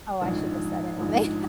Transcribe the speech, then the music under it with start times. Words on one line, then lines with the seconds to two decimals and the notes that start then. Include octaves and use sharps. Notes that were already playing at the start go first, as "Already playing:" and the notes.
Oh, I shouldn't have said anything.
0.21 A#1 G#2 F3
0.98 A#1 G#2 F3